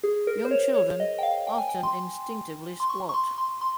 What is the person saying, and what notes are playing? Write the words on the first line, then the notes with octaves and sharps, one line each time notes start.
Young children often instinctively squat.
G#4
A#4
C5
C#5
C#5
D#5
G5
F5
G5
G#5
G5
C6
C6
C#6
C#6
C6
C6
C6